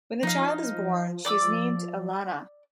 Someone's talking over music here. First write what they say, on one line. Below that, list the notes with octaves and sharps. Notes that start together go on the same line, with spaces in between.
When the child is born, she is named Allana.
F3 D#4 F5
D5 D6 E6